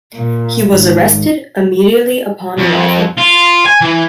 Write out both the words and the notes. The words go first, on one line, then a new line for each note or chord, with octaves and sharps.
He was arrested immediately upon arrival.
A#2
G#1
F2
F4
G#5
E3